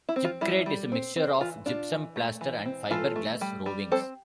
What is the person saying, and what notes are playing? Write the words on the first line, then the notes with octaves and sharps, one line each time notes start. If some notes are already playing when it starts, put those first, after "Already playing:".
Gypcrete is a mixture of gypsum plaster and fibreglass rovings.
E4
C4
F4
G3 E4
G3
C4
C4
E3 F4
D4 F4
E3
A3
E3
C4
E3 F4 A4
A3
G3
G3
C4 A4 C5